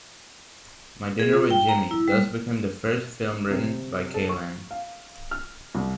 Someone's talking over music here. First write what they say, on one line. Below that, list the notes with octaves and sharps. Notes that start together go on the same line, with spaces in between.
"My Dinner With Jimi" thus became the first film written by Kaylan.
G#4
F4
G5
A#5
E4
G3
C3
A4
C#6
F5
F6
C2